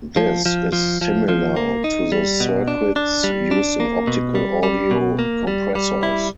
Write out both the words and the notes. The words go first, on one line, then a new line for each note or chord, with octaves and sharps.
This is similar to the circuits used in optical audio compressors.
F3
F3
F3
F3
F3
A#3
D#4
G3
B2
D4
D4
G3
D4
A#3
B2
G3
G3
B2
A#3
G3
G3
E4